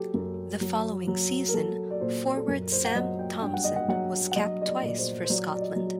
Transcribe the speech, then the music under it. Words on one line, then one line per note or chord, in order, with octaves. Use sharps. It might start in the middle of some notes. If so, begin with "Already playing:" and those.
The following season, forward Sam Thomson was capped twice for Scotland.
Already playing: F#3 G4 A4
F#2
F#3
F#3
A#4
F#3 A4
D5
A#2 C5
A4
F#2 A#4
C5
F#5
F#3 D#5
G5
G2 G5
F#5
D#5
F#5
F#3 F#5
F#5
F#3 D#5
D#5
D5
A#2 D5
C5
C5
F#3 D5
D5
D#5
F#3